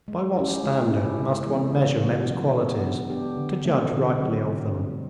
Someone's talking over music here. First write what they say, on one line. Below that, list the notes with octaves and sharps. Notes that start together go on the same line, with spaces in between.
By what standard must one measure men's qualities, to judge rightly of them?
G#3
C#4 E4 G4
G#3
C#4 E4 G4
C#3
E3 G#3 B3 E4
C#3
E3 G#3 B3 E4
F#3
B3 D4 G4
F#3
B3 D4 G4
D3
F#3 A3 C4
D3
F#3 A3 C4
B2
G3 C4